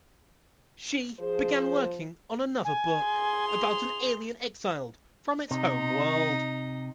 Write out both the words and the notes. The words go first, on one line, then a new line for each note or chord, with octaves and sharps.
She began working on another book about an alien exiled from its home world.
F3 G#4 C5
G#5
G#4 C6
F7
C3 D#4